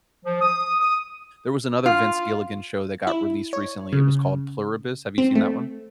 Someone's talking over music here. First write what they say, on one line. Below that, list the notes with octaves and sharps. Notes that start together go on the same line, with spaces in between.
There was another Vince Gilligan show that got released recently, it was called Pluribus. Have you seen that one?
F3
D#6
D#6
F4
E4
C#5
C#3
C4
A3